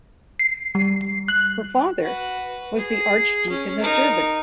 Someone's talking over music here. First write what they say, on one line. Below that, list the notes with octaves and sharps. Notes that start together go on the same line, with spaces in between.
Her father was the Archdeacon of Durban.
C7
G3
F#6
F#4 B4
G#4
C#4
D#4 A#4